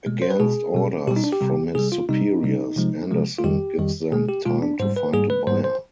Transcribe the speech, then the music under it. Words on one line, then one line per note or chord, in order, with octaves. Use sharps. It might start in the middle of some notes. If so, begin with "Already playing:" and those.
Against orders from his superiors, Anderson gives them time to find a buyer.
B2 G#3
C5
B4
B2 G#3 G#4
B2 G3
B2 G3 G4
D#4
D4
G4
C3 G3
C3 G3 G#4
F4
C3 G3 D#4
C3 G3
C3 F3 G#3
C3 F3 G#3
F4
F2 D#3 G3 G4
F2 D#3 G3
B2 G#3 G#4
G4
B2 G#3 F4
D4
G#2 G3 C5
B4
G#2 G3 G#4
B4
G#2 G3 C5
C5